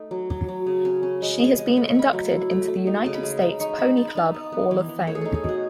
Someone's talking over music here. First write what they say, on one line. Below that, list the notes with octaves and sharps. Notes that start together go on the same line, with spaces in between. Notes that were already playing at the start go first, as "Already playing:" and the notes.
She has been inducted into the United States Pony Club Hall of Fame.
Already playing: A3 D#4
F#3
F#3
F#3
C#3
C#4
C#4
G#3
G#3
G#3
A3 B5
C#6
A3 B5
F#3
E4
A3
A3
D#4
C#3 A5
B5
G#3
D#4 B5
D#4 C#6
D#4 B5
D#4 A5
B5
D#4 A5
B3
B3
E3
E3
A3 C#5
G#4
D#4 A4
G#4
B2 F#4